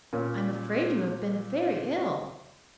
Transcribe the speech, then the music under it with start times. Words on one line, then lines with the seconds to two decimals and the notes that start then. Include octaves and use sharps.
"I am afraid you have been very ill."
0.13 A#2 C#4